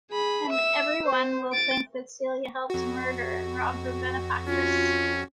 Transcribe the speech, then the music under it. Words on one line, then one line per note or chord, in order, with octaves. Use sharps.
And every one will think that Celia helped to murder and rob her benefactress.
G#4 B5
E5 E6
C5
A6 D7
F2 F#4
C#4 F4